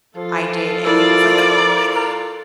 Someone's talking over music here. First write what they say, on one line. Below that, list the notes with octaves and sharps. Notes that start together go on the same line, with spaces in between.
I did, and he was like, "Oh my god!
F3 F4 A4
E4 A#4 D5 E6